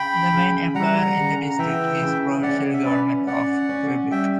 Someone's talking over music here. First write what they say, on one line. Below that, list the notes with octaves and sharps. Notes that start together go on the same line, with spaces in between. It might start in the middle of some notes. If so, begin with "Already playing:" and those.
The main employer in the district is the provincial Government of Quebec.
Already playing: C#3 G5 B5
C#3
G3 F#5 A#5
C#3
A#5
E3 E5 G5
C#3
C#4 D5 F#5
E5
C#4 B4 D5
C#4 D5 F#5
C#4
G3 E5 G5